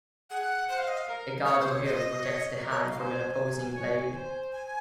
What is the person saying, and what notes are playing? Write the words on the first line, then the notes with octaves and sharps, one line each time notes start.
A guard or hilt protects the hand from an opposing blade.
G#4 F#5
C5 F#5
F5
D#5
F5
A#4
C#5
C5
C#5
C5 D#5
C#5
A#4
C#5
D#5
F5
C5 G#5 C6
C#5
C5
G#5